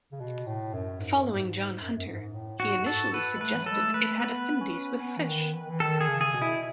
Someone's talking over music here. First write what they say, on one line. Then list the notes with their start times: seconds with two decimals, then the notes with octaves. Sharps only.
Following John Hunter, he initially suggested it had affinities with fish.
0.12 C#3
0.20 B2
0.46 A2
0.73 F#2
1.00 G#2
1.13 F#2
1.26 G#2
1.80 F#2
1.97 F#2
2.06 G#2
2.24 G#2
2.33 A2
2.60 G#2 F#4
2.80 F#2
2.86 G#2 A4
3.14 B4
3.35 G#3
3.41 A3 B4
3.54 E3
3.62 F#3
3.66 G#3 A4
3.81 A3
3.94 B4
4.20 B3 B4
4.61 C#4
5.01 B3
5.17 E3
5.28 D#3
5.54 E3
5.62 D#3
5.70 E3
5.80 D#3 A4
6.01 G#4
6.08 C#3
6.21 G#4
6.34 B2
6.42 E4